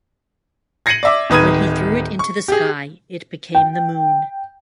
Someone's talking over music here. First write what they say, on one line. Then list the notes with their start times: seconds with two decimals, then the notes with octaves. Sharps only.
When he threw it into the sky, it became the moon.
0.86 G#6 A#6 C7 C#7 D#7 F#7
1.03 D5 E5 D6
1.30 D1 D#3 B4 D#6 G#6 D#7
2.19 C#6
2.48 G4 G#4
3.55 G5